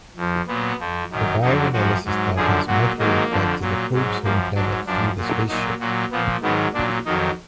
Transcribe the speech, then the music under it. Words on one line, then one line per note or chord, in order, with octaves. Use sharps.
The bio-analysis data is microwaved back to the probe's home planet through the spaceship.
F2 F3
A#2 F#3 B3
F2 F3
F#2 D#3 F#3
F2 D3 F#3 D#4
F#2 F3 F#4
G#2 F#3
F#2 D3 F3 G#4
A#2 F#3 F#4
G#2 D#3 F#3 A#3
F2 D3 F3
A#2 F#3
G#2 F#3
F#2 F3 A#3
G#2 F#3 D4
F#2 F3 D4
A#2 F#3
A#2 F#3 D#4
A#2 F#3 F#4
A#2 F3 B3
G#2 D#3 F#3 B3
A#2 F#3 D4
F2 D#3 F#3 D#4